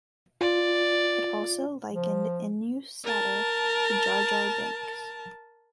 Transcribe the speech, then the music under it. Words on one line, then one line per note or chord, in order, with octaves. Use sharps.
It also likened Inoue Sato to Jar Jar Binks.
F4 D5
F3
A#4 A5